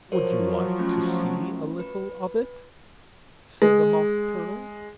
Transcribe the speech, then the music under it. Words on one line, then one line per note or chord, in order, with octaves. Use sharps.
'Would you like to see a little of it?' said the Mock Turtle.
F3 F#3 A#4 C5 C#5
A3 C#4
B4
G#3